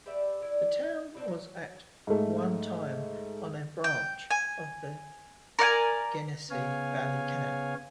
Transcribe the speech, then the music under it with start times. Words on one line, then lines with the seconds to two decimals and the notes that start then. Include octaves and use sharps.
The town was at one time on a branch of the Genesee Valley Canal.
0.06 G4 B4 D5 E5
0.42 E4 D5
1.14 G3 C4 D4
1.28 F#3
2.07 G#2 A3
3.84 G5
4.31 G#5
5.59 A#4 D5 F#5 G#5
6.51 C#3 B3 C#5 F5 G#5